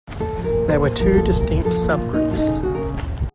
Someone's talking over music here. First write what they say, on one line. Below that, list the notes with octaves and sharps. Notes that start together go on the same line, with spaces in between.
There were two distinct subgroups.
A3 A4
F3
A#4
A#2
A#2 C5
A3 C5
F3 A#4
F#4
A#2 A4
A#2
A#4
A3
F3 A4
A#2
F4
A#2
C#4 D#4
A3 F4
D#4
C#3
C#3 F#4
C#4 A#4